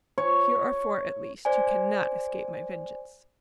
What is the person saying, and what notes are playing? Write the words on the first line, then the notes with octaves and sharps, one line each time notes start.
Here are four, at least, who cannot escape my vengeance.
C#5
C5 D5 G#5